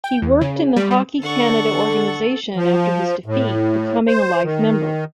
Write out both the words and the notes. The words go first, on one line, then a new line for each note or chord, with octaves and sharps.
He worked in the Hockey Canada organization after his defeat, becoming a life member.
G5
E2
C#3
G3
G3
D3 A4 F#5 C#6
F3
A2
C5
D#3